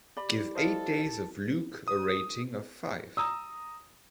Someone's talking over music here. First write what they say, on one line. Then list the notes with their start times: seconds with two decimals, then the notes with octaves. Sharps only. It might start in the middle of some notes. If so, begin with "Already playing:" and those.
Give Eight Days of Luke a rating of five.
0.17 G4 D5 B5
0.55 A4 C5 D#5 F5
1.88 D#6
3.17 A#5 D#6 E6